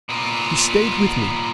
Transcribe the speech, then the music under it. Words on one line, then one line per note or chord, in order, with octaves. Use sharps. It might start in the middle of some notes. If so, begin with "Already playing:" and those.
She stayed with me.
A#2 B3